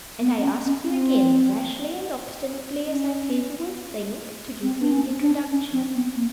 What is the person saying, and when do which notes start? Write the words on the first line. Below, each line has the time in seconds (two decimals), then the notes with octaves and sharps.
And I ask you again--rashly and obstinately as I fear you will think--to give me the introduction.
0.21 B3
0.38 C4
0.43 C#4
0.66 C#4
0.88 C4
2.86 C#4
4.63 C4
4.81 D4
4.91 C#4
5.21 D4
5.51 C#4
5.73 C4
5.95 B3
6.16 A#3